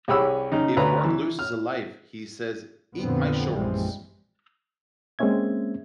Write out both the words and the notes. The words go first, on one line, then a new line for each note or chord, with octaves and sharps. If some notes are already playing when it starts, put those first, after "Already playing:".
If Bart loses a life he says Eat my shorts!
C2 G4 G#4 C#5 B5 E6
C#3 D#4
D2 B4 A#5
E3
F6
F2 A#2 D3 F3 B3 C4
A#1 F#2 E3 G3 G#3 C4
G#3 A#3 C4 C#4 E5 G#6